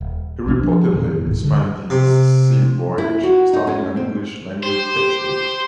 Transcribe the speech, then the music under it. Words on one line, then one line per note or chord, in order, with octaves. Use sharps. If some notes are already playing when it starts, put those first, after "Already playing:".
He reportedly spent his sea voyage studying an English language textbook.
D#1
B1 F#3 D4
F3
F2 A#2 D#3 F#3
D1 G#2
G2 D3
C3
E4
F#4
D#4
C#4
C4
G4 C5